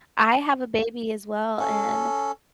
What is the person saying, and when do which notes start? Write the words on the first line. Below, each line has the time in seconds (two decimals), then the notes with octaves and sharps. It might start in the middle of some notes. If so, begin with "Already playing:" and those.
I have a baby as well, and
1.60 C#4 A4